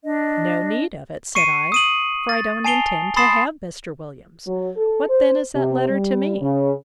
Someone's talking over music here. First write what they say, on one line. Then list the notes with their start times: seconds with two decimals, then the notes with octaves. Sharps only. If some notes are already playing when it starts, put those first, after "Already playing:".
No need of it, said I; for I don't intend to have Mr. Williams: What then is that letter to me?
0.03 D4 D#5
1.35 C#6 C7 C#7 D#7
1.72 D#6 D#7 F#7
2.29 A6
2.64 G#5 A5 C7 D7 F7 G7
3.16 B5 C6 D#6 A6 C7 E7
4.47 F#3
4.76 A4
5.09 C5
5.55 C3
5.90 G3
6.40 C#3